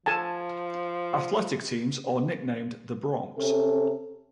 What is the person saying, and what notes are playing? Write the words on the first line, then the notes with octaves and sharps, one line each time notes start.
Athletic teams are nicknamed the Broncs.
F3 A4 G#5 A5
C3 C#4 A4